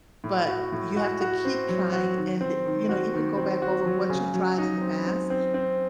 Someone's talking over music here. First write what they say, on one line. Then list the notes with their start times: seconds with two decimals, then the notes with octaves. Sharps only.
but you have to keep trying and, you know, even go back over what you've tried in the past
0.24 A2
0.48 F#4
0.72 A2
0.96 F#4
1.21 F#4
1.45 C4
1.69 F#3
1.92 F#4
2.17 D#3
2.41 C4
2.65 D#3
2.89 F#4
3.13 D#3
3.37 C4
3.62 F#4
3.86 F#3
4.09 C#3
4.34 F#3
4.58 D#4
4.81 C4
5.07 C4
5.30 C4
5.54 C4